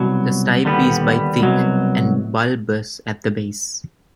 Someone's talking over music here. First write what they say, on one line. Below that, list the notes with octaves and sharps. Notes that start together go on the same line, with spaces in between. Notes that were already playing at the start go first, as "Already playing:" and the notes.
The stipe is by thick, and bulbous at the base.
Already playing: C2 B2 F#3
D#2 D3 G3 B3
C2 B2 F#3